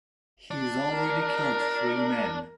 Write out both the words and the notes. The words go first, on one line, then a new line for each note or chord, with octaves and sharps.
He's already killed three men.
D4
A#4